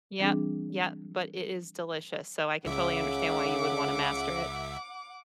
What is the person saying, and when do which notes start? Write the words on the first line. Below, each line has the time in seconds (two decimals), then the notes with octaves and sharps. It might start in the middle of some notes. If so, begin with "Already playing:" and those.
Yep, yep, but it is delicious, so I can totally understand why you would wanna master it.
0.19 E3 G3 C4 D4 G#4
2.65 C#2 C#3 E5 F#5 D6